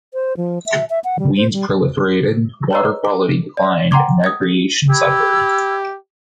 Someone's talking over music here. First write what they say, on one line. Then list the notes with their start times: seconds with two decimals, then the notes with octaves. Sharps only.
Weeds proliferated, water quality declined, and recreation suffered.
0.14 C5
0.37 F3
0.66 E5
0.90 E5
1.04 F#5
1.19 G3
1.37 C5
1.53 G3
2.72 B4 C#5 D#5 A#5 E6 C7
3.05 D6
3.57 D5
3.91 F#5 G5 A#5 C6 D6 G#6
4.24 D#6 G#6
4.90 G4 B5 E6 G#6